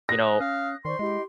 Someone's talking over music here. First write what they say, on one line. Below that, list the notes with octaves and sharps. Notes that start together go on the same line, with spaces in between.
you know
D#6 F#6 A#6
C#4 F5
D#3 C5 D5 C6 C#6
G#3 E4 G4 D#5